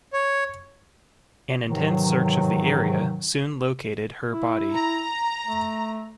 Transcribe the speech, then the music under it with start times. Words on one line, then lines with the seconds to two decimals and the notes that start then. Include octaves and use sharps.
An intense search of the area soon located her body.
0.13 C#5
1.65 G#2 C3 D#3 E3 F#3
4.32 E4
4.73 A#5
5.46 A3